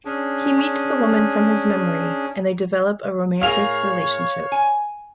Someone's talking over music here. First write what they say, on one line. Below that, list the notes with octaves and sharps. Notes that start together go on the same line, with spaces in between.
He meets the woman from his memory, and they develop a romantic relationship.
C#4 D4 G#4
A2 G#4 A#4 C#5 F5 F7
G#5